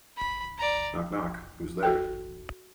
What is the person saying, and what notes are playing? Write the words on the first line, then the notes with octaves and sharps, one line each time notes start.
Knock knock! Who's there?
B5
D5 A#5
F#4 A4 G5